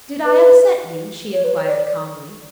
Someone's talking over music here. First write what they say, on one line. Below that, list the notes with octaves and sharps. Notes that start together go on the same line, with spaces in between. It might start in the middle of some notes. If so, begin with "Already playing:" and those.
"Did I upset you?" she inquired calmly.
B4
C#5
B4
C#5
D5